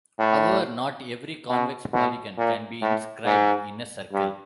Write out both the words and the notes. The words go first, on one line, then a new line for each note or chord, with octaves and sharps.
However, not every convex polygon can be inscribed in a circle.
A2
B2
B2
A#2
A2
G#2
G2